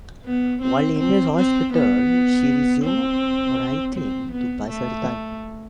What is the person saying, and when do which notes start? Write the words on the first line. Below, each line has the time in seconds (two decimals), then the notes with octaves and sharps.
While in the hospital, she resumed writing to pass her time.
0.25 B3
0.62 C4
0.99 C4
1.37 C4
1.73 B3
2.84 C4
3.96 C4
4.32 B3
4.69 A3